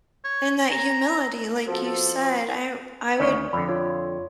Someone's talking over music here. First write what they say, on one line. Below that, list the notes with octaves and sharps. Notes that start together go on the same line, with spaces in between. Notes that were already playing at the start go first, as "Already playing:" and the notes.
And that humility, like you said, I I would
C#5
A#5
F3 C4 F#4 A4
D2 D#3 C#4 C#5 D5 C#6
F2 D3 B5
F4 C#5